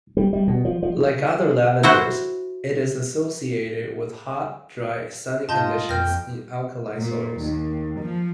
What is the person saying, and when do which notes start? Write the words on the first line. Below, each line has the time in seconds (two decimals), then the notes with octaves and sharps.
Like other lavenders, it is associated with hot, dry, sunny conditions in alkaline soils.
0.17 G3
0.33 G3
0.47 B2
0.65 F3
0.83 F3
1.83 E4 F#4 C5
5.49 G#2 F4 D#5 A5 C6 G6
5.89 F2 G5 F6 A#6
6.97 A#2
7.41 D#2
8.00 F3